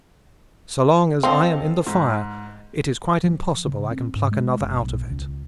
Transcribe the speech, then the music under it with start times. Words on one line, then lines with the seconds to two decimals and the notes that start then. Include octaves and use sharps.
So long as I am in the fire, it is quite impossible I can pluck another out of it.
1.23 C4 A4 D#5 F5
1.86 G#2
3.24 F3
3.67 C#3
3.91 C4
4.16 G#2
4.32 G#3
4.61 F#1
4.82 B1
5.10 C#2